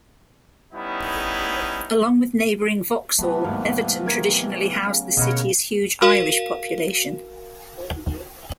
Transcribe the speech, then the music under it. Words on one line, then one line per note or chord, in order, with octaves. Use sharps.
Along with neighbouring Vauxhall, Everton traditionally housed the city's huge Irish population.
G3 B3 C#4 D#4 E4
C3 D#3 E3 F#3 A3 B3 G4
G#1 D#2 F5
A#4 G#6
C#3
B2 D3 A#4 C#5 D#5 F#5 B5
F#4 A#4 F5